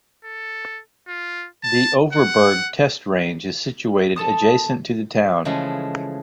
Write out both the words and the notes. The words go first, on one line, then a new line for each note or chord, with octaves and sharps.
The Overberg Test Range is situated adjacent to the town.
A4
F4
A5
F#5
A4 A5 D#6
C#3 E3 F3 G#3 A3